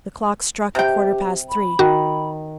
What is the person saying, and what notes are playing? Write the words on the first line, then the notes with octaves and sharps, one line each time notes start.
The clock struck a quarter past three.
C3 G4 G5
B5
D#3 F#4